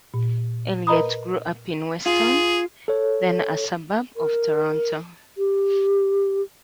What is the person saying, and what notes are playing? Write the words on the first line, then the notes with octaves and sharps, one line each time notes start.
Elliot grew up in Weston, then a suburb of Toronto.
A#2
A#4 B4 D#5 A#5 B5 D#6
F4 G#4
A4 C#5
A#4
G4